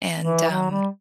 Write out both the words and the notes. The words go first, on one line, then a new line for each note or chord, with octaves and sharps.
and, um,
E3
F#3
G3